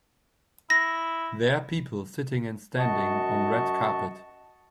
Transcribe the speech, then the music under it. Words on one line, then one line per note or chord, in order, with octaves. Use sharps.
There people sitting and standing on red carpet.
E4 A#6
F#2 F#4 D#5 A5 C#6